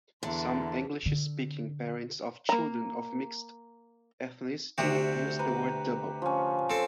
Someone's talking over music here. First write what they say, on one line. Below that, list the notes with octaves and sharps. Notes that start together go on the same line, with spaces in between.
Some English-speaking parents of children of mixed ethnicity use the word double.
E2 D3 E4 E5 A5 A#5 C6
D3
A#3 A#5
D2 C3 F#4 G4
B4 A#5
F3 C#4
C4 A4